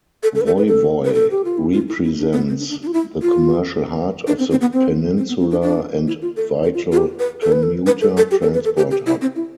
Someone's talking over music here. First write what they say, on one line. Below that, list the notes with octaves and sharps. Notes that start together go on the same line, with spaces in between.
Woy Woy represents the commercial heart of the Peninsula and vital commuter transport hub.
A4
A4
B4
A4
B4
A4
B4
A4
G4
F4
E4
F4
E4
E4
D4
B3
C4
D4
D4
D4
F4
E4
F4
D4
C4
C4
B3
C4
C4
B3
C4
D4
D4
E4
F4
A4
A4
F4
F4
G4
B4
A4
B4
A4
B4
A4
A4
G4
A4
B4
A4
G4
G4
E4
C4
E4